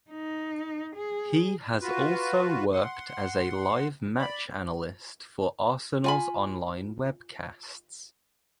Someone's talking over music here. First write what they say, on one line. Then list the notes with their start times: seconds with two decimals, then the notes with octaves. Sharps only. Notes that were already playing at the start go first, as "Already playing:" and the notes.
He has also worked as a live match analyst for Arsenal's online webcasts.
0.11 D#4
0.96 G#4
1.81 F4 F#4 B4
2.72 F#5 C6
4.18 D5 B5
6.04 F4 G#5 B5